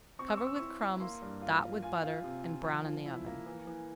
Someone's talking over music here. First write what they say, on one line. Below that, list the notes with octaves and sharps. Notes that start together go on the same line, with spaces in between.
Cover with crumbs, dot with butter, and brown in the oven.
C4 C#6
E6
C4 C#6
E6
E4 C#6
E4
A#3 C6
G2
F4
F4
F4 G#5
F4
C3
F4
F3
F3
E4
A#3
E3
E3